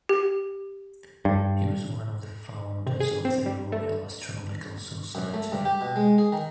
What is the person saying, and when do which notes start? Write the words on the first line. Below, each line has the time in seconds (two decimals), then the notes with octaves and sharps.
He was one of the founders of the Royal Astronomical Society.
0.09 G4
1.25 G2
2.87 C3
3.00 G#4
3.25 C4
3.46 G3
3.72 A3
5.15 F#2
5.34 A3
5.52 G2
5.65 G4
5.81 B2
5.96 G#3
6.18 G#4
6.32 D#3